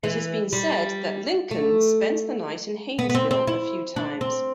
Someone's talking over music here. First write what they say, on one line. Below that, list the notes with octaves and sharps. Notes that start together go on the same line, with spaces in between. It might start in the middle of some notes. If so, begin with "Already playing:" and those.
It has been said that Lincoln spent the night in Hainesville a few times.
E3
G3
A3
B3
B3
C4
C4
E4
D4
C4